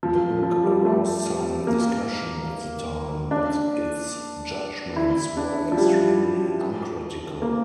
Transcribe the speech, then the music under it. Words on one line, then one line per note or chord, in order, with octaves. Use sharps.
The book aroused some discussion at the time, but its judgments were extremely uncritical.
F3
F3
G3
A3
A#3
D4
E4
D4
F3
G3
A#3